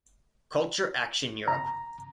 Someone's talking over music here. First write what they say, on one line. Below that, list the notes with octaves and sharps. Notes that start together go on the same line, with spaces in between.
Culture Action Europe.
A#5